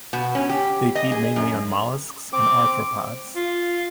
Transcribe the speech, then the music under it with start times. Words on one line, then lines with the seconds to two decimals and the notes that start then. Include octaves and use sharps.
They feed mainly on molluscs and arthropods.
0.13 B2
0.35 C#4
0.49 G4
0.95 D#5
1.12 G#4
1.36 F#2
2.33 C4 D6
3.36 F4